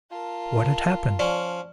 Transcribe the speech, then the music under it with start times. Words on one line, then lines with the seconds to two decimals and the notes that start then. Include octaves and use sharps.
What had happened?
0.11 F4 A#4 A5
1.19 F3 C#4 D5